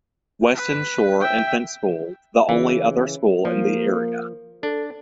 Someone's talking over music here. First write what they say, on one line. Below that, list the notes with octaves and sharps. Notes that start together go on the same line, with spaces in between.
Weston Shore Infant School the only other school in the area.
B4
E5 G5
C#3 E3
F3 A#3
D4 A4